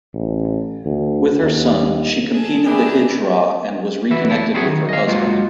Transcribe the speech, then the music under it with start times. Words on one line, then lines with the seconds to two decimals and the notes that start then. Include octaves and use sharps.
With her son, she competed the hijra and was reconnected with her husband.
0.14 A1
0.85 D2
1.42 D#2
2.32 G#4 A4
2.65 E3 D4 G4 G#4 A#4
4.11 E3 F#4 B4 E5
4.30 E4 A4
4.54 C4 E4 F#4 G#4 E5 F#5
4.67 D#3
4.89 D#5 F5
5.07 G#3 A#3 F4 F#4